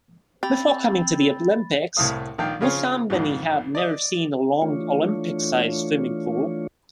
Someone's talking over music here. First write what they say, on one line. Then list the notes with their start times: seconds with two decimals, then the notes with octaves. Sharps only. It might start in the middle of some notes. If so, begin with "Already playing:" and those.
Before coming to the Olympics, Moussambani had never seen a long Olympic-size swimming pool.
0.43 C4 G4 B5 A6
1.97 C2 A2 A3 F5 D#6
2.38 A#1 D#3 F5 G5
2.61 C#3 F3 F4 G#4 C#5
3.10 A#1 F2 G#2
3.75 D5 D#5 D#6
4.62 E3 A3 D4 F4 C#5